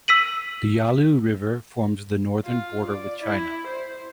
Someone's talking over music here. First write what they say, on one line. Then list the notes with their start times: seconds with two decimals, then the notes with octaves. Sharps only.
The Yalu River forms the northern border with China.
0.08 E6 B6 D#7 F#7
2.44 F4
2.89 D5
3.24 E4
3.67 C5